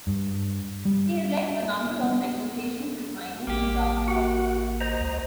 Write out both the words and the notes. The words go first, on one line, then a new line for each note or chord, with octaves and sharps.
He has led a number of negotiations with mining and government bodies.
G2
G3
B3
A1 A#3 G4
F#4 F#5
C5 D#5 A#5
C#2